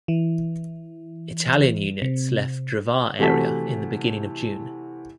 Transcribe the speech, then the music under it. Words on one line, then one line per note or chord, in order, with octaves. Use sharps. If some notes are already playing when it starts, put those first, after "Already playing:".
Italian units left Drvar area in the beginning of June.
E3
C3
C3 E3 A3 F#4 A5 B6